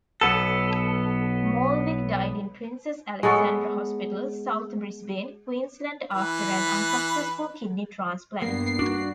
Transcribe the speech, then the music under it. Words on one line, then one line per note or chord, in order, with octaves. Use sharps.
Molvig died in Princess Alexandra Hospital, South Brisbane, Queensland after an unsuccessful kidney transplant.
B1 B3 A4
G#3 B3 A4 C#5
E3 B4
G2 A#3 B3 C7
D4 F#4